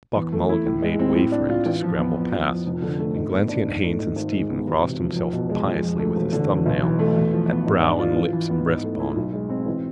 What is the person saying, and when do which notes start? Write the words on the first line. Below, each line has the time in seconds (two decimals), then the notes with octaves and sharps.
Buck Mulligan made way for him to scramble past and, glancing at Haines and Stephen, crossed himself piously with his thumbnail at brow and lips and breastbone.
0.16 E2
0.32 A3
0.49 E4
0.66 A2
0.82 G#3
0.99 C4
1.15 A2
1.32 D4
1.49 F4
1.66 A1
1.83 F3
1.99 B3
2.16 F2
2.32 F3
2.49 F2
2.66 F1
2.82 D3
2.99 A3
3.16 G#2
3.33 B3
3.49 D4
3.66 G#2
3.83 A3
3.99 G#2
4.16 G#1
4.33 G#3
4.49 B3
4.66 E1
4.82 C3
5.00 F3
5.16 F1
5.33 B2
5.49 G#3
5.66 F2
5.83 F3
5.99 A3
6.16 E1
6.33 D3
6.49 E1
6.66 B1
6.83 E3
6.99 A3
7.16 E2
7.33 F3
7.50 B3
7.66 G#2
7.83 D4
7.99 F4
8.16 A1
8.33 E3
8.50 B3
8.66 G#2
8.83 A3
8.99 E4
9.16 B1
9.33 G#3
9.50 C4
9.66 A1